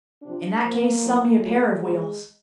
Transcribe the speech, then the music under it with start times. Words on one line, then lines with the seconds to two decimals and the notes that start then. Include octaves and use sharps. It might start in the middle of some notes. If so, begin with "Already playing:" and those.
"In that case, sell me a pair of wheels."
0.23 C3 F3 D4
0.61 A#2 F3 A#3
1.00 A2 F#3
1.37 A#2 F#3 A3
1.76 B2 F#3 G#3